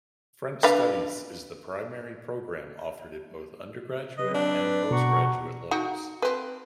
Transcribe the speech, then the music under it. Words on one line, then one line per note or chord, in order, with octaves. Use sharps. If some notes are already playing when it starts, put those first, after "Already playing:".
French Studies is the primary programme offered at both undergraduate and postgraduate levels.
D4 B4 F5
F#3 C4 B4 D#5
D4
B2 F#5 A#5 C#6
D#4 F#4 G5
C4 B4